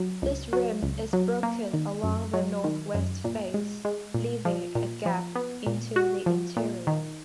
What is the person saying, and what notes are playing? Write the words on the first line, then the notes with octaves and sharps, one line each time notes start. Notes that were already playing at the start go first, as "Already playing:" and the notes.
This rim is broken along the northwest face, leaving a gap into the interior.
Already playing: F#3
C#2
F#3
C#2
F#3
A#3
D#3
F#2
F#3
D#3
F#2
A#2
G#3
G#3
A#2
F3
A#2
F3
B3
A#2
F#4
F3
A#2
D#3